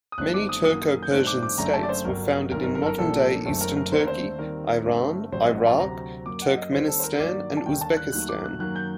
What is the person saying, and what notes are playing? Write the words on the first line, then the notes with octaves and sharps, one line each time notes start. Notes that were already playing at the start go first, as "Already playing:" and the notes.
Many Turko-Persian states were founded in modern-day Eastern Turkey, Iran, Iraq, Turkmenistan and Uzbekistan.
D#6
G1 G2 D#3 A3 C4 F#6
D6
D#6
F#2 D#3 F#3 A#3 D#6
G6
G2 D#3 A3 C4 F#6
D6
D6
F#1 F#2 D3 A3 A#5
A5
D5
C5
G1 G2 F#3 A#4
G1 F#2 D#3 A#4
A#4
A#4
A4
A#4
A#1 A#2 G3 A#3 A4
F#1 F#2 D#3 A3 C4 A4
A#4
A#4
D#2 D3 A3 C4 C5
A#4
C5
D#2 D#3 G3 C4 A#4
G2 D3 A3 C4
A1 G2 F#3 A3 C4 C5
D#5
F#5
A5
D2 C3 F#3 C4 A#5
F#2 F#3 A#3 D6
F#5
D#5
D#2 D#3 G3 C4 C5
A4
C5
A#4
G2 D#3 F#3 A#3 D5
A5
D#2 D3 G3 A#3 G5
A5
F#6
D#2 D#3 F#3 A3 F#6
D6
F#6
F#2 D#3 F#3 A#3 F#6
G6